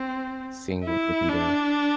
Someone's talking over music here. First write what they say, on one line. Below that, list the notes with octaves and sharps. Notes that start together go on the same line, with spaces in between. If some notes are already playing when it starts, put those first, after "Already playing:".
seeing what we can do.
Already playing: C4
E4
D4